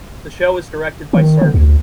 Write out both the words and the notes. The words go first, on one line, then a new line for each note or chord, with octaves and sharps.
The show was directed by Sgt.
D#3
D3
D2